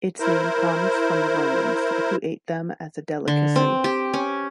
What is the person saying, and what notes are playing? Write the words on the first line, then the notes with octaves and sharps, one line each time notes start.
Its name comes from the Romans, who ate them as a delicacy.
E4 A#4 C5
D3
C4
G4
C#4